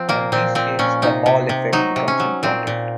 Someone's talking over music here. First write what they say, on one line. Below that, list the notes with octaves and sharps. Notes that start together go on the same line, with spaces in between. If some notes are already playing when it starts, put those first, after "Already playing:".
On these scales the Hall effect becomes important.
Already playing: F3 C4
A#2 A#3
A#2 C4
A#2 C4
A#2 C#4
C3 D#4
C3
C3
F#3 D#4
C3
C#4
F#3
A#2 C4
A#2